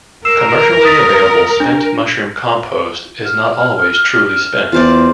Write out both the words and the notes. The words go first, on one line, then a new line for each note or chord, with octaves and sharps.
Commercially available 'spent' mushroom compost is not always truly spent.
A#4 E6 C7 E7
D#6 A6 B6
D4
F6
E2 F4 C5 D5